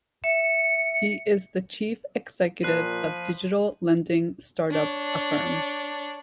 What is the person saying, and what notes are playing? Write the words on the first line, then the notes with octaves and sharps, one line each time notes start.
He is the Chief Executive of digital lending start-up Affirm.
E5 C#7
A#2 F3 B5 F#6 C7 D#7
D4 C#5